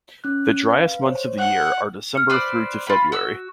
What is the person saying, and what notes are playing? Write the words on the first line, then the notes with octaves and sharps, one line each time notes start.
The driest months of the year are December through to February.
C#4 F#6
B4 F5
C5 C#5
F#5 F#6
F6 C#7
B4 C5 D5
F4 B5
F#4 E6